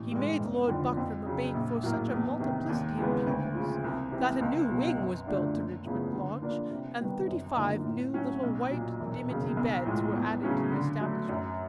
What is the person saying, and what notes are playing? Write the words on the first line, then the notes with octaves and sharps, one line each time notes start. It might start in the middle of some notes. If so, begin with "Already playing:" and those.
He made Lord Buckram a bait for such a multiplicity of pupils, that a new wing was built to Richmond Lodge, and thirty-five new little white dimity beds were added to the establishment.
Already playing: A1
G2 E3 G#3
F1
F2 D3 F3
F2
C#3 F#3
A#1
A2 F#3 A#3
E2
C3 D#3
D#2
C#3 E3 G#3 B3
D2
C#3 F3
C2
C3 E3
C#2
B2 F#3
F#2
D3 F3 A3 D4
F#1
E2 C#3 F3 A3
D3
F3 A#3 D4
C3
D#3 G3 B3
F#2
D3 F3 A#3 D#4
A2
F#3 A3 C#4 F#4
B1
A#2 F#3
E1
D#2 C#3 F#3
B1
A2 F3 G#3
E2
C#3 F#3 A3 C#4
D3
F#3 A3
F#2